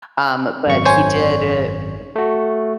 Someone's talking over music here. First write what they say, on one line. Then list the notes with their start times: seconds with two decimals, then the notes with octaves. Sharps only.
um, but he did, uh,
0.67 G#1 F#2 C#6
0.85 C5 C#5 G#5
2.16 A3 F#4